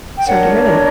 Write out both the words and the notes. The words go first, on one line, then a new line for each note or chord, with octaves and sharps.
Sorry to hear that.
G5
D4 A#4 C#5 F#5